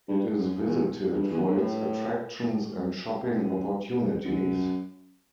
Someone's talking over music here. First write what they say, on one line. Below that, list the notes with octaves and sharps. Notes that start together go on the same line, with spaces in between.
It is visited for its attractions and shopping opportunities.
G2
F#2
E2
G2
E2
F#2
G2
A2
F#2
F#2